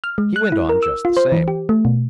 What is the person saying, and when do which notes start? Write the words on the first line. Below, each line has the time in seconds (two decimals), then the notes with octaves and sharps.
He went on just the same.
0.04 F6
0.18 G#3
0.36 F#6
0.52 E4
0.69 A#4
0.83 E6
1.05 F4
1.17 C5
1.32 E3
1.48 G4
1.69 A3
1.85 B2